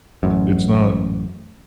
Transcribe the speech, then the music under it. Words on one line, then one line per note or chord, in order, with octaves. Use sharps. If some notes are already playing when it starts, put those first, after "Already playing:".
It's not,
A1 F#2